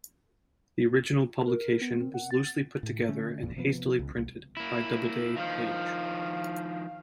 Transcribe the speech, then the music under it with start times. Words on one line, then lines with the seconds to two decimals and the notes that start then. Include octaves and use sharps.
The original publication was loosely put together and hastily printed by Doubleday, Page.
1.47 A#4
1.82 B3
2.00 C4
2.14 F#5
2.31 A6
2.83 A2
3.08 D3 A3 C#4
3.42 G#1 E2 A#2
3.56 C3 F3 B3
3.99 C#2
4.16 C2
4.57 A#3 E4
5.36 D#3 F3 F5